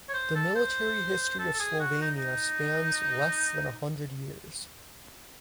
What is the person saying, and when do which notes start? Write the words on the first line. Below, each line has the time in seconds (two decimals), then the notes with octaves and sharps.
The military history of Slovenia spans less than a hundred years.
0.09 C#5
0.14 C5
0.35 A4
0.55 C5
1.39 A4
1.54 A4
1.59 G#4
1.80 F#4
2.01 D#4
2.18 D#4